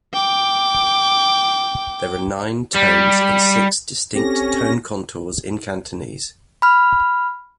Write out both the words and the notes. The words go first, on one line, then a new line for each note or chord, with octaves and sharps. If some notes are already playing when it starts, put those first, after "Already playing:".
There are nine tones in six distinct tone contours in Cantonese.
G5 D6
G3
C4 C#4 G4 A4 A#6
B5 F6